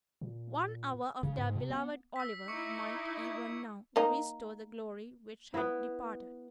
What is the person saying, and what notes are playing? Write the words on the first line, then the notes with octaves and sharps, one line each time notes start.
One hour of their beloved Oliver might even now restore the glory which had departed.
A#2
C#3
G#2
C3
B3
E6 B6
D#4 E4 C#6 D6 C#7
G#6
A#3 D#4
B3 E4